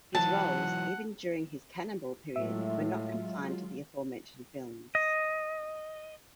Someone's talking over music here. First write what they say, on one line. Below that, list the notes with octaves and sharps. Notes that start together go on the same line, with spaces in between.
His roles, even during his Cannonball period, were not confined to the aforementioned films.
E3 F#3 F#5 A5
A2 F#3 G#3 F4 E5
D#5